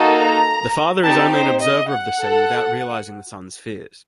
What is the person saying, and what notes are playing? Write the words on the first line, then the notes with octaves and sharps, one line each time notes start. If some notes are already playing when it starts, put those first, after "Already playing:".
The father is only an observer of the scene without realizing the son's fears.
Already playing: A#3 D#4 F#4 A4
A#5
C4 D#4 G4 A5
C5
D#5
F#5
A4